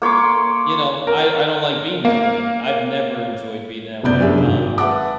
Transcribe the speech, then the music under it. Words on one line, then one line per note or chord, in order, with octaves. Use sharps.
you know, I I don't like being that way. I've never enjoyed being that way. Um,
A#3 C#5 C6 D6
A#4
A#3
F#1 C3 B3 D5 G6
F#2 D4 G4 G#4 A#4 E5
G#1
B4 E5 F#5 A5 D6